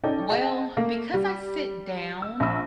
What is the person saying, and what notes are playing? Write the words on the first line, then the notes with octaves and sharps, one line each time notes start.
Well, because I sit down
C#4 D#4 A4 D5 G5
G#4 D#5 F#5 A5
A3 A#3
G3
E6
A#1 B5 E6